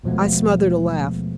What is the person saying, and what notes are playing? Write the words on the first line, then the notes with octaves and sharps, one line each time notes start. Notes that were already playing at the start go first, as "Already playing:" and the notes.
I smothered a laugh.
D#2 B2 F3 G#3 A3 B3